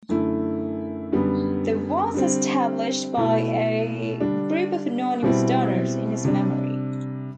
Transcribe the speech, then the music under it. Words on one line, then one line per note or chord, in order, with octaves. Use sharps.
The was established by a group of anonymous donors in his memory.
F#2 D3 A3 E4
F#2 D3 G3 B3
D3 G3 C4
B2 A3 E4
D3 G3 D4
B2 G3 C4 E4
C3 G3 D4